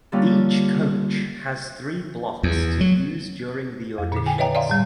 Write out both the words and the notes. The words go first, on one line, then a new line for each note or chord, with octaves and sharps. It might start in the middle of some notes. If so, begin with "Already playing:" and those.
Each coach has three blocks to use during the auditions.
D3 G3 A#3 C#4 F4
E2
F#3
F2
A#2 D3
G5 G#5
B4 C#5 D#5 E5 G5 A#5
D5 E5 F5 A#5 C6
A2 G3